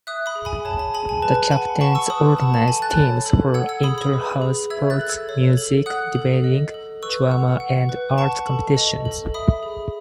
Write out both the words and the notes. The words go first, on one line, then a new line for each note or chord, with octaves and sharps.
The captains organise teams for inter-house sports, music, debating, drama and art competitions.
E5 D#6 F#6
B5 D#6
G#4
G#5 B5
C#5 A5
A5
G#4 G#5 B5
G#5
B4 A5
F#5 G#5 B5
F#5 A5 C#6
C#6 E6
B4 B5 D#6
F#5 A5
A5
A4 G#5 B5
F#6 A6
C#5
A4
F#5 E6 G#6
E6 G#6
G#4 B5 D#6
B5 D#6
B4
G#4
E5 E6 G#6
F#6 A6
A4
E6 G#6
C#5
A4
F#5 D#6 F#6
A4
D#5
A4
B4 C#6 E6
F#5
F#5
B4
F#5 A5 C#6
A4
D#5
A4
E5 B5 D#6
G#4